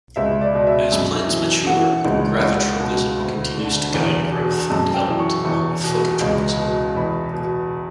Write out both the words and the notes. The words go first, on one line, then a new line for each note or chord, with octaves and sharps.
As plants mature, gravitropism continues to guide growth and development along with phototropism.
C#2 E5
D5
B2
E5
F#2
E3
E3 F#5
C#2
C#2
B2
D2
D3
E2
B2
F#2 A5
G5
E3
C#6
E2 C#6
B2
C#2
B2
E2 B5
B2